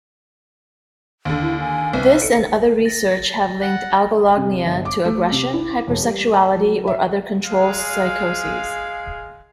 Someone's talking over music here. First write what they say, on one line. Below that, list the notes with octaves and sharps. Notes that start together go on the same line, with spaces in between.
This and other research have linked algolagnia to aggression, hypersexuality, or other control psychoses.
D#2 D3
E4
G#5
C2 B4
A4 C#7
A6 A#6
F#5
C3
G1
D6
A3
C3
E4
E1
G3
A5
F#3
E5
G#3 G#4 F5